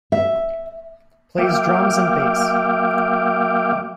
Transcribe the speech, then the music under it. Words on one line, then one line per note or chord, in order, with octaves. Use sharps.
Plays drums and bass.
E5
F#3 A#3 E5 F5 G5 D6